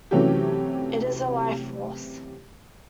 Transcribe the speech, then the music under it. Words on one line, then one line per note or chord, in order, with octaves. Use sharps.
It is a life force.
C3 E3 F#3 A3 C#4 G4